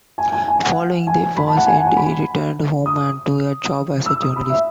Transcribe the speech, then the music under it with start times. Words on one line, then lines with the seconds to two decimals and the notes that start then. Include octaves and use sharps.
Following the war's end, he returned home and to a job as a journalist.
0.18 G#5
0.32 G#5
0.48 G#5
0.63 F#5
1.07 G#5
1.37 B5
1.47 A5
1.57 F#5
1.66 G#5
1.78 F#5
1.87 G#5
1.97 B5
2.86 D#6
4.06 E6
4.21 D#6
4.36 B5
4.50 E5